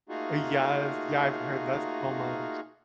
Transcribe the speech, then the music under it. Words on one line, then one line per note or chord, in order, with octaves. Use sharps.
Eh, yes, yeah, I've heard that so much.
A3 A#3 D#4 F4 F#4 G#4